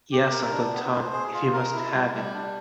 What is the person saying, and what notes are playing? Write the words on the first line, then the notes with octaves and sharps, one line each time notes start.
Yes, Uncle Tom, if you must have it.
G4
A#4
D4
B3
C5
G#4
F4
A#4
E4
G3
G3
D4